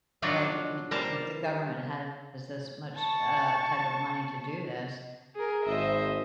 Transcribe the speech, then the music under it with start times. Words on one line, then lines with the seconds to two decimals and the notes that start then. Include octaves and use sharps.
like y y if the government has this much, uh, type of money to do this,
0.22 F3 F#3 D4 F4 F#4
0.91 G3 A#4 C5 A5
2.97 A5 C#6
5.35 G#4 A#4
5.66 G#1 C5 D#5 E5